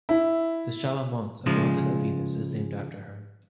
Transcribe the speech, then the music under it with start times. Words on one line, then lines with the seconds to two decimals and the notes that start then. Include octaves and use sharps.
The Shala Mons, a mountain on Venus, is named after her.
0.09 E4
1.46 C#3 F3 G#3